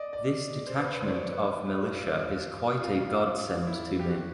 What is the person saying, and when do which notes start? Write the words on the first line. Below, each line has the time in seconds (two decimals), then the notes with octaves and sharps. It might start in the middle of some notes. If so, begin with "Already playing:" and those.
This detachment of militia is quite a godsend to me.
Already playing: D5 D#5
0.13 D5
0.67 C5
0.77 B4
0.88 C5
0.99 C5
1.05 D5
1.09 C#5
1.31 B4
1.67 B4
1.81 F#4
1.95 F4
2.82 F4
3.67 E4
3.99 G4
4.09 F#4